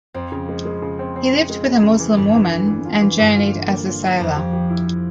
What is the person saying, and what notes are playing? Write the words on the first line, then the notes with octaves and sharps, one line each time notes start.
He lived with a Muslim woman and journeyed as a sailor.
F2 C4
C#3
G#3
G#3
C#3
C4
C4
C#3
G#3
C#3
C#3
E3
G1 G2 E3
E3
E3
E3
F4
E3
G1 G2 E3
F4
E3
A#3
F4
E3
F2 F3 C5
G4
G4
E4
E4